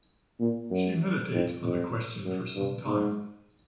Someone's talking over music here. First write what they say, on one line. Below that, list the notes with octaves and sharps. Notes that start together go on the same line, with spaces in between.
She meditates on the question for some time.
A#2
F#2
F2
F2
F#2
G2
G#2